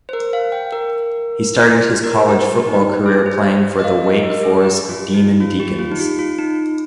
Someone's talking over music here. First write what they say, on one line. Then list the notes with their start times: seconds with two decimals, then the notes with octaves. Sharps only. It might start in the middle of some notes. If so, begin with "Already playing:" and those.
He started his college football career playing for the Wake Forest Demon Deacons.
0.09 C5
0.13 A#4
0.33 F5
0.52 G5
0.72 A#4
2.04 A#4
2.16 G#4
2.28 G4
2.48 G4
2.67 D#4
3.06 G#4
3.26 C5
3.79 D#5
3.84 F5
4.04 D#5
4.23 A#4
4.43 G#4
4.62 G4
4.89 F4
5.14 D#4
5.40 F4
5.60 G4
5.79 F4
5.92 D#4
5.99 F4
6.19 F4
6.38 D#4